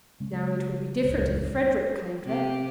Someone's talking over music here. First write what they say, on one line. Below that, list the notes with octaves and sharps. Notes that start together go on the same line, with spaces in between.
Now it would be different if Frederick claimed her.'
C#3 G#3 C#4
D#1 C#2 F#2
G3
C3 G4